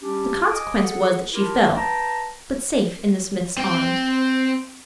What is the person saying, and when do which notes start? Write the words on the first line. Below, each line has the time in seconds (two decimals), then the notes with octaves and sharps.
The consequence was that she fell--but safe in the smith's arms.
0.02 G3 C#4 D4 G4
0.50 D#5 G#5 D6 D#6
0.82 G#4 A4 F#5
1.32 D4 E4 F4 G4 A#4
1.75 B4 G5 A5 A#5
3.57 C4 G5